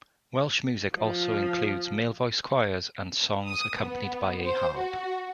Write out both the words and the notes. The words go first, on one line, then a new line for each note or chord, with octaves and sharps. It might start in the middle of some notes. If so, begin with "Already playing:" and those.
Welsh music also includes male voice choirs and songs accompanied by a harp.
F3
D#6
B3
C5
F#4